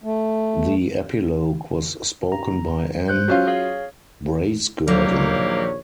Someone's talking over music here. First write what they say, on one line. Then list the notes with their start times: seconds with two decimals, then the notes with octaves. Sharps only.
The epilogue was spoken by Anne Bracegirdle.
0.03 A3
2.32 A#5
3.08 C5 F#6 G6
3.28 F#3 C#4 F4
3.47 G#4 C#5 F5
4.88 A#1 D#2 C3 F#3 G3 A#3 C#5